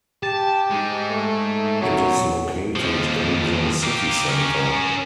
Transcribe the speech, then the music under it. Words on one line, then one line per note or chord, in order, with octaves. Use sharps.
It is located in the city center.
G4 A5
G#3 D#4
A3
B2 D#3 F#3
D#2 F3
A#3 G4
C#4 A#4